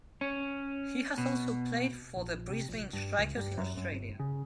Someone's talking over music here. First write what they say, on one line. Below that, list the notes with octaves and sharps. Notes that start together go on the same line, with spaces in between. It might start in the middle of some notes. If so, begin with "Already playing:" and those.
He has also played for the Brisbane Strikers in Australia.
C#4
B2
A#1
C3
A#1
G2
C#2
G2
F#2
F#2
G1
C#3